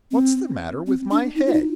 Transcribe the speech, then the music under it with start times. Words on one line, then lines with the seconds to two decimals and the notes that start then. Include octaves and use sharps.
What's the matter with my head?
0.11 C4
0.87 C4
1.11 D4
1.36 D#4
1.47 F4
1.53 D#4